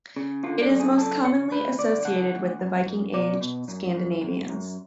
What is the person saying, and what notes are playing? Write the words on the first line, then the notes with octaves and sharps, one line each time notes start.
It is most commonly associated with Viking Age Scandinavians.
C#3
D3 F4
D4
F#2
G#4
C#3 A4
C#3 C#5
D2 B4
D2 D5
C#3 F#5
D2
F#2
F#2
B2 D5
B2
F#2
F#2
F#2
F#2